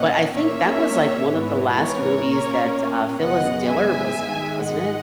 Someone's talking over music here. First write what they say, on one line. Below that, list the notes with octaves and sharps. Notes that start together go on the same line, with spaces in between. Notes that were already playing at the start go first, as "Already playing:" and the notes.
but I think that was, like, one of the last movies that, uh, Phyllis Diller was in, wasn't it?
Already playing: A#2 A#3 C#4 D#5 F#5
A#2 A#3 C#4 C#5 E5
G#2 E3 B3
A#4 C#5
A#2 A#3 C#4
F#2 C#3 G#3 B3 D#5 F#5
E5 G#5
G#2 D#3 G#3
D#5 F#5